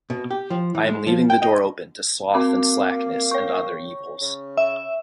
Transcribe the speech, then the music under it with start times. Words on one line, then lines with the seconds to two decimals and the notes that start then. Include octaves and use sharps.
I am leaving the door open to sloth and slackness and other evils.
0.10 B2
0.31 G4
0.50 F3
0.75 E3
0.88 G#3
1.07 F3
1.30 G5
1.42 D#5
2.34 A#3 C4 D6
3.31 C#5 C#6
4.21 C#3
4.57 E5